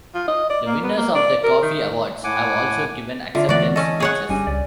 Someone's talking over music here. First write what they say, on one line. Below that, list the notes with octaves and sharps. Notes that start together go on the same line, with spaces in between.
The winners of the Koffee Awards have also given acceptance speeches.
F4
D#5
D5
A#3
B3
A#3
D5
A#4
D#3
A2 F#5 G#5 D6
D3 F4 E5
E2 E3 A3 F#4 A#4 D5
C#4 A4 D#5
G#4 C#5 F#5
G1 G3 C#4 D4 G#5
C#2 D5